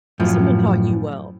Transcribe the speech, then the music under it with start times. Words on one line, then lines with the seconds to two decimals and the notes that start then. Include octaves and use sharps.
Well, someone taught you well.
0.20 F#2 A2 F3